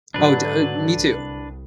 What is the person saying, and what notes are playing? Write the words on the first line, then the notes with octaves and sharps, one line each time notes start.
Oh, d uh, me too.
G#2 D3 F#3 D4 B4
C2